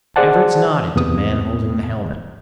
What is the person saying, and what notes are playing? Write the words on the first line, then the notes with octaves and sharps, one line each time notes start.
Everts nodded to the man holding the helmet.
G#4 C5 D5 F#5 A5
E2 C3 B3 D#6